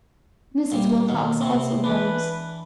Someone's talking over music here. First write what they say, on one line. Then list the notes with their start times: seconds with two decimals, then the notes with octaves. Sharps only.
Mrs. Wilcox also rose.
0.72 A#2 G3 A#3
1.09 D#2 B2
1.41 C3 C4
1.84 E3 D4 B4